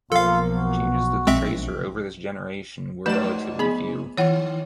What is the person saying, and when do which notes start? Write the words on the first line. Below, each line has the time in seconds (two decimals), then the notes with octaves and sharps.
Changes to the Tracer over this generation were relatively few.
0.12 B1 F3 A#3 F4 A4 F5
0.56 F#4
1.27 A#1 G#3 C4 E5
3.06 G#2 F3 A3 B4 D5 E7
3.59 B3 G#4 B5
4.18 D#3 C#5 F#5